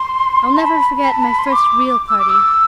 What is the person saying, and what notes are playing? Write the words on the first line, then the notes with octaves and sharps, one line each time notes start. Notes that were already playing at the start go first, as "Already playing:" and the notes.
I'll never forget my first real party.
Already playing: C6
A5
B5
B5
A5
B5
C6
D6
E6
D6
E6